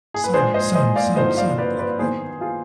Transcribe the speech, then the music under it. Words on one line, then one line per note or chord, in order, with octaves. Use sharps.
Son, son, son, son, like like,
G#4
B4
G#2 F3 G#3 D4 G#4 C5
C5 D#5
C5 D#5
D5 F5
G2 D3 F3 C4 D#4 C5 D#5
D5 F5
B4 D5
B4 D5
D#3 B3 D#4 G#4 C5
F4 G#4